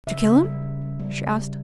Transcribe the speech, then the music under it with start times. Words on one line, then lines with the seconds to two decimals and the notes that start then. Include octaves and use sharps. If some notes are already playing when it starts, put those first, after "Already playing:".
"Did you kill him?" she asked.
0.07 C#3 E5
0.26 C#3
0.45 G3
0.62 G3
0.81 G3
1.00 G3
1.18 C#3
1.37 C#3